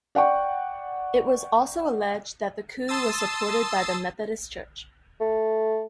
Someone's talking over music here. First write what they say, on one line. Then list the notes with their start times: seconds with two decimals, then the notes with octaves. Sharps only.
It was also alleged that the coup was supported by the Methodist church.
0.15 D5 F#5 G5 C#6
2.88 A5 C6 D#6 E6 A6
5.21 A3